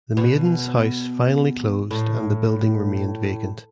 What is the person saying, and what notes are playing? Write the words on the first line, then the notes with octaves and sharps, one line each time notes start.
The Maidens’ House finally closed and the building remained vacant.
B2
A2